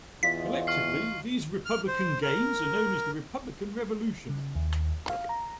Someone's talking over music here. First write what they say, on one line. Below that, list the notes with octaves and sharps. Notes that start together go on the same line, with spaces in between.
Collectively, these Republican gains are known as the Republican Revolution.
E2 F4 D#5 B6
C#6 F6 C7
F6
C5
A#4
C#3
D#2
F5
A#5